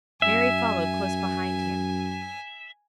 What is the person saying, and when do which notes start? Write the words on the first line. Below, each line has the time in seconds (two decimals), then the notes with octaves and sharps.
Mary followed close behind him.
0.22 F#2 E5 G#5